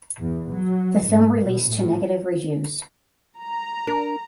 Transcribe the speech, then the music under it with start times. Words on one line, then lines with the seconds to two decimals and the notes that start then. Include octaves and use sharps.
The film released to negative reviews.
0.19 E2
0.51 F#3
1.06 G#2
1.42 B2
1.71 A2
3.39 A#5
3.87 D4 A#4